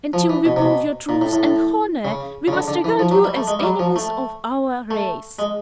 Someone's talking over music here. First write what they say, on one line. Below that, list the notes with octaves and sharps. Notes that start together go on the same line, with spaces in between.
Until we prove your truth and honor we must regard you as enemies of our race.
F3
E3
B2
C3
B2
A#2
A2
A2
A2
C#3
C#3
D3
D3
E3
F3
F#3
G3
A3
G#3
G3
F#3
F3
A3
A3
G#3